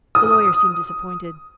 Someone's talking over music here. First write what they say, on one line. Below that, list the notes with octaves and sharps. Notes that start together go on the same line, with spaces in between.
The lawyer seemed disappointed.
D#6